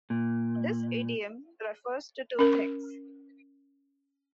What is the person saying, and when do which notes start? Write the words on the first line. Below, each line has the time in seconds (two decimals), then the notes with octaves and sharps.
This idiom refers to two things.
0.10 A#2
2.39 C#4 A#4